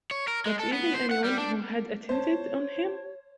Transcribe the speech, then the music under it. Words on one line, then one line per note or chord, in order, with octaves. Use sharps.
Not even any one who had attended on him?
C#5
A#4
G#3
A4
B3
C5
F#5
G3
D4
C5 C#5 A5